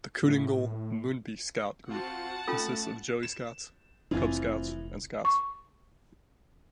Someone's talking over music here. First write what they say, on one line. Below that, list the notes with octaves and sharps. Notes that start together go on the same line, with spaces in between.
The Kootingal-Moonbi Scout group consists of Joey Scouts, Cub Scouts and Scouts.
A2
C4 F4 F#4 F#5 A5
A3 C#4 F4 A4
E7
F1 A#1 E3 F3 C4 F4 G#5
C#6